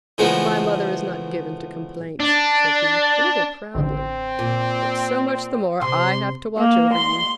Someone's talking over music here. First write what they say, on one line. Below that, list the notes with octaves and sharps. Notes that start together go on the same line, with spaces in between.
My mother is not given to complaints,' said he, a little proudly. 'But so much the more I have to watch over you.
C#3 E3 F3 G#3 A3 B3
D4
A1 D3 C4
A#2
C3 C6
A#3
C6